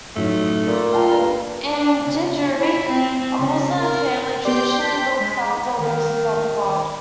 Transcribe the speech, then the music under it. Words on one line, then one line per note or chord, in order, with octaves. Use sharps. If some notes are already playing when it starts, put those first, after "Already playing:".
In Jejuri, a Muslim family traditionally looks after the horses of the god.
A1 F#3 A3 D#4
A#2
F4 G5 A5 A#5
G2 A#3 A#5
D4
C#3
E4
C4
C#3
A#4
B3 G4 D5 G5 C6 G6
B6
G#3
D#3